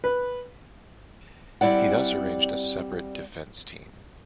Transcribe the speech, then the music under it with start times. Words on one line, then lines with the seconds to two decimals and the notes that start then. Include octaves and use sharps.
He thus arranged a separate defence team.
0.04 B4
1.61 G3 C4 E4 D5 F#5